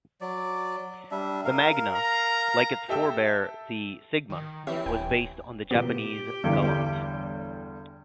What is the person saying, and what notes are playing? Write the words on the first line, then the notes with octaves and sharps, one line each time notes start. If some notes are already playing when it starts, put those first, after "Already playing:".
The Magna, like its forebear the Sigma, was based on the Japanese Galant.
F#3 D5
G3 D4 E5
A#4 F5
A#5
G4 A4 E5 G5 A5 E6
D#3
E3 C4 C#4 G4 E5
D#1 G5 G#5
A#2 B3 G4
G1 E2 G2 D3 E3 D5